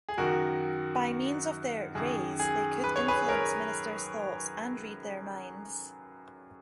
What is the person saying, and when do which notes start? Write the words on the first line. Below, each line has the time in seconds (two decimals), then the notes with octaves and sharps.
By means of their "rays" they could influence ministers' thoughts and read their minds.
0.09 G#4
0.18 F#2 D#3 F#4 A#4
1.95 F#2 D#3 G#4
2.40 G#4
2.84 B4
2.96 C#5
3.08 G#4 B4
3.28 A#4 C#5